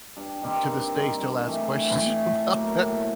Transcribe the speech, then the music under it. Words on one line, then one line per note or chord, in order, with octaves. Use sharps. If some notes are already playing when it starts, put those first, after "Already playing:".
to this day, still ask questions about that
G2
D#3 G3 C4
G2
D#3 G3 C4
G2
E3 A3
G2
E3 A3
A2
F#3 A#3
A2